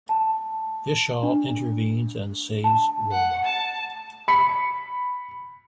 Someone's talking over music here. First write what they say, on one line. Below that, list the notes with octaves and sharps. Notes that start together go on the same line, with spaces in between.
Vishal intervenes and saves Roma.
A5
D4
A5
F#5
A5
B5 C#7